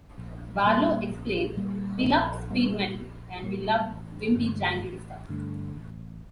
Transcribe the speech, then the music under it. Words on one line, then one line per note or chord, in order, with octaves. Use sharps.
Barlow explained, "We loved speed metal...and we loved wimpy-jangly stuff".
A#1
A#2 G3 A#3
A#1
A#2 G3 A#3
A#1
A#2 G3 A#3
A#1
A#2 G3 A#3
A1
G2 D3 A3
A1
G2 D3 A3
A1